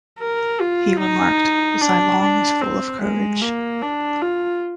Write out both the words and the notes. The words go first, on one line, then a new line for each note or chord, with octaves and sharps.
He remarked, Zilong is full of courage.
A#4
F4
D#4
D4
D4
C4
G#3
A#3
D4
F4